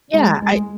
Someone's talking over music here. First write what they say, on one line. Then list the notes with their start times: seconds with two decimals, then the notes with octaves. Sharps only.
Yeah, I
0.13 G#3
0.42 G#3